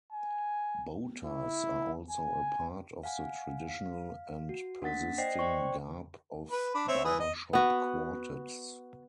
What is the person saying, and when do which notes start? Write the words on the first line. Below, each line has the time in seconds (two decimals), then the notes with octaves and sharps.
Boaters are also a part of the traditional and persisting garb of barbershop quartets.
0.12 G#5
1.25 E4
2.10 G#5
3.03 F5 F#5 G#5
3.69 F5
4.49 F#4
4.82 A#3 D4 F#5 A6 B6
5.18 C5 D5 D#5 G5 A#6 C7
5.39 C5 D5 G5 C6 C#6
6.51 B4
6.74 D4 B5
6.88 C4 C#5 E5
7.04 E3 G#4 B4
7.20 D#5
7.53 B3 F#4